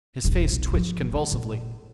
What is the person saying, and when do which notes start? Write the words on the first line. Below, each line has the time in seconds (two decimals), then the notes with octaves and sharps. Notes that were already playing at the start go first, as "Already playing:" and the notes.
His face twitched convulsively.
0.24 D#1 A#1
0.53 B1
0.72 G#2 F3
1.11 D3 G#3
1.32 A#2